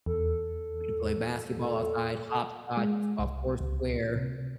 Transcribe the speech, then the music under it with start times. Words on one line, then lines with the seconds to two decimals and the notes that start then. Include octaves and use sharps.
We'd play basketball outside, hopscotch, uh, foursquare.
0.06 E2 A4
2.77 G#3
3.19 C2
3.61 C#2
4.16 C3